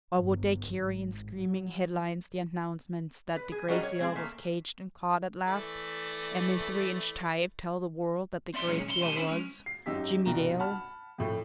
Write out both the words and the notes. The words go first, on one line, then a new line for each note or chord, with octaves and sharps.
Or would they carry in screaming headlines the announcement that the Gray Seal was caged and caught at last, and in three-inch type tell the world that the Gray Seal was--Jimmie Dale!
G1
G#1
F#3
B4
G#4
G3 C#4 F#4 G#4 A#4 D#5
C#5
G#3 C4 G#4
A3 A#3
E3 A3 D5
C4 D5 E5 C6
A#2 D#3 F#3 G#3 C#4
C2 C#4 E4 G#4 C6
B1 A3 G4 G#5 A5 C6
C#4 D4 E4 F4 B4 C5
G#3 C#4
C7
G#1 F#2 D#4 G4 E6 B6
C2 G2 B2 A#4 A#5
F#5 A5 B5 F6
F2 A2